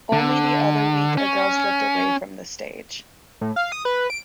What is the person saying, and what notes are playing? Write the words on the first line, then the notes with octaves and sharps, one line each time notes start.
Only the other week a girl slipped away from the stage.
D3
C#4
A2
F5
D#6
B4
D7